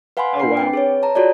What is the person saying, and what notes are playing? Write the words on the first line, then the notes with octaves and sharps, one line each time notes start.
oh, wow.
B4 F5 F#5 G#5 B5 C6
D4 B4 C7
C4 B4 G5
G#4 B4 C#5
A5 A#5
F4 F#4 G#4 A4 C#5 D5